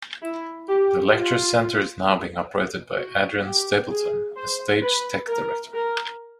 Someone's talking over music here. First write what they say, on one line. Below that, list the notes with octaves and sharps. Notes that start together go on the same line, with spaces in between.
The lecture center is now being operated by Adrian Stapleton, a stage tech director.
E4
G4
F4
F#4
G4
G#4
C5
B4
A#4
A#4